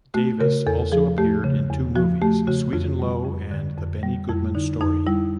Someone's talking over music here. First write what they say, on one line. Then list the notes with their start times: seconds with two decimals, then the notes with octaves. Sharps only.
Davis also appeared in two movies, "Sweet and Low" and "The Benny Goodman Story".
0.14 A3 F#4
0.40 C#3 A#4
0.67 E2 A4
0.92 F3 G#4
1.18 A3 G4
1.44 C#3
1.70 E2
1.96 F3 F#4
2.22 A3 G4
2.47 C#3 F#4
2.73 F2 F4
2.99 G3
3.25 F2
3.51 D3
3.77 F2
4.03 G3
4.29 F2 E4
4.55 D3 D#4
4.81 F2 D#4
5.07 G3 E4